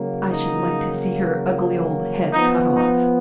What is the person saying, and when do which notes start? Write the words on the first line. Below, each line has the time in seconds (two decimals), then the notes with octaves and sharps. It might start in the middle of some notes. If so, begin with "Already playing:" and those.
I should like to see her ugly old head cut off.
Already playing: C#3 F#3 A#3
0.30 D#4
2.32 F3 B3 D#4
2.74 D#4